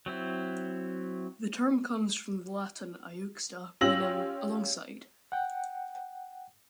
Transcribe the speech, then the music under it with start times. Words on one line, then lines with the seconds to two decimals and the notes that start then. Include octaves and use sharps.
The term comes from the Latin "iuxta", meaning "alongside".
0.06 F#3 C4 E4
3.81 C#4 F4 G4 E6 A#6 F#7
5.32 F#5 G5